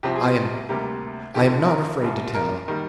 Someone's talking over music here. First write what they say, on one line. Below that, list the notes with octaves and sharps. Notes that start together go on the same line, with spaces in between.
I am--I am not afraid to tell.
C2 C3 F3 C4 G4
G#4
G4
D2 C3 G3 A#3 G4
F1 F2 D3 F3 G4
A#4
C2 A#2 G3
A#4
D#3 G3 A#3